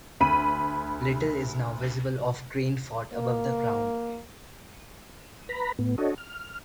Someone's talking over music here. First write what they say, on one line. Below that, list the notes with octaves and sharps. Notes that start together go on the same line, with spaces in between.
Little is now visible of Grain Fort above the ground.
D2 B5 D#7
A#3
B4 A#5 B5
A2 B3
D4 F#4 A4 C#5 D#5
F6